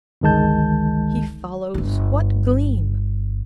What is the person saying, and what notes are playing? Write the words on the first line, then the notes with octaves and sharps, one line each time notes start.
He follows what gleam?
G1 C#2 D#3 G#3 A5 G6
G1 G2